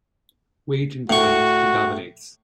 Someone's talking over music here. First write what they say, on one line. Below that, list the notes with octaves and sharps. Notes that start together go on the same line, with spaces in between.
Wage employment predominates.
A2 F#4 C#6